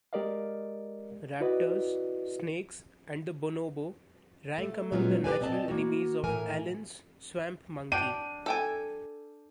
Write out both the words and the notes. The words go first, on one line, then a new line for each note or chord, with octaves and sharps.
Raptors, snakes, and the bonobo rank among the natural enemies of Allen's swamp monkey.
G#3 G4 A#4 D5 D#5 F5
E4 F#4 B4 D5 D#5
A3
A#2 F#3 G#3 B3 C#4 F4
G4 B4 D5 G#5
C4 D5 D#5 A5
A#3 F#4
A2 E3 A#4 G#5
D4 G5 D#7
A4 G5 G#5